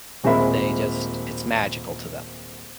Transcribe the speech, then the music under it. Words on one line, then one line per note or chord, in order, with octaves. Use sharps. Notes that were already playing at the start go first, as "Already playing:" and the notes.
they just it's magical to them,
D#1 G#3 C4 A#4 E5 B5